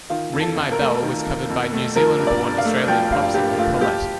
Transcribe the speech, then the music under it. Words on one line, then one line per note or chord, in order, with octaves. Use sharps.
"Ring My Bell" was covered by New Zealand-born, Australian pop singer Collette.
D#3 F4
F2
A4
F2
A#4
A3
D#3
F2
F2
A3
F3 A#4
G2
D5
G2
F5
A3
F3 G5
G2 F5
F4
G2 G4
A3 F4
F3 G4